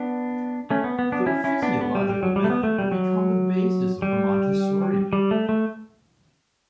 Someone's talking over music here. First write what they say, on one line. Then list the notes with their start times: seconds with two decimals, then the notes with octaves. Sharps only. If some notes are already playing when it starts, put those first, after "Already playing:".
The physiological method will become the basis of the Montessori method.
Already playing: B3 D4
0.70 A3 C#4
0.84 B3
0.99 B3
1.12 B3 D4
1.26 C#4 E4
1.44 C#4 E4
1.62 B3 D4
1.81 B3
1.95 G3
2.09 G3
2.23 F#3
2.36 G3
2.44 A3
2.50 B3
2.63 A3
2.78 G3
2.92 F#3
4.02 G3
5.13 G3
5.31 A3
5.49 A3